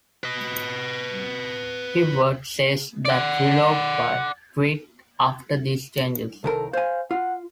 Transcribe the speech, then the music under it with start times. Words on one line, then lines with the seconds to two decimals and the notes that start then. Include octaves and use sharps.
Heyward says that Willoughby quit after these changes.
0.23 B4 D#5
3.05 D5 F#5
6.44 C2 D#3 A4 A#4
6.73 C5 F5 G#5
7.11 F4 F#5